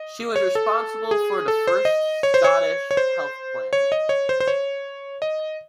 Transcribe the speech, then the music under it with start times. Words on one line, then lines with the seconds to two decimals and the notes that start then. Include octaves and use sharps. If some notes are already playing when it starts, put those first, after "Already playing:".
She was responsible for the first Scottish Health Plan.
Already playing: D#5
0.36 C#5
0.55 A4
1.11 G#4
1.48 A4
1.67 C5
1.85 D#5
2.23 C#5
2.34 C5
2.44 C#5
2.91 C#5
2.97 C5
3.73 C#5
3.92 D#5
4.09 C#5
4.29 C5
4.40 C5
4.48 C#5
5.22 D#5